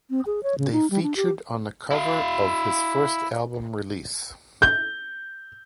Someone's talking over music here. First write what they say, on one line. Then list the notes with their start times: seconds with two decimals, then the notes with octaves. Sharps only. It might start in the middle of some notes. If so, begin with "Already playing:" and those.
They featured on the cover of his first album release.
0.10 C4
0.26 G#4
0.43 C#5
0.58 C#3
0.72 D#4
0.91 G3
1.03 D4
1.16 G4
1.91 E4 F5
4.62 G6